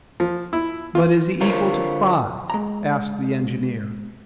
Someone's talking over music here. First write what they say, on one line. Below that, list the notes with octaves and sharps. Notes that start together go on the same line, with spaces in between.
"But is he equal to five?" asked the engineer.
F3
E4
F4
D3 F4 A#4 C5 C#5
G#3 A#5